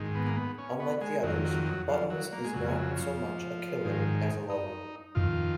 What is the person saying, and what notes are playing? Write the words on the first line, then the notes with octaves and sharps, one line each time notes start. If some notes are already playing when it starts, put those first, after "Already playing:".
Unlike the others, Buttons is not so much a killer as a lover.
Already playing: G#2 D#3
B3
A#3
B3
C#4
B3
G#3
F2 D#3 F#3
F#3
F#3
F3
F#3
A#3
G#3
F2 C#3 F#3
G#3
F#3
F3
G#2 D#3
D#4
F2 D#3 F4